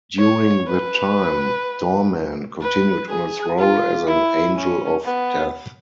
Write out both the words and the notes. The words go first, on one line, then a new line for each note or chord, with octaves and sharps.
During that time, Doorman continued on his role as an angel of death.
C#5
B4
B4
G#4
F4
E4
C#4
B3